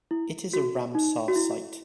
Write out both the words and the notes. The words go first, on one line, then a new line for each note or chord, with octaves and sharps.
It is a Ramsar site.
E4
F#4
D#4
F#4
E4